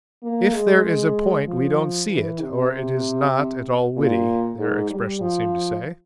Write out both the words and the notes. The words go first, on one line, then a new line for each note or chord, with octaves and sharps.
"If there is a point we don't see it, or it is not at all witty," their expressions seemed to say.
A#3
G#3
G#3
F3
E3
C3
A#2
G#2
G3
F3